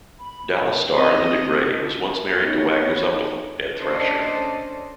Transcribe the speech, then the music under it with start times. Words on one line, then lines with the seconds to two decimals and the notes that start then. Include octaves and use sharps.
"Dallas" star Linda Gray was once married to Wagner's uncle, Ed Thrasher.
0.19 B5
0.95 C4 D#5
2.37 B3 D#4 C#5
3.78 C#4 D4 A4 C5 D5 D#5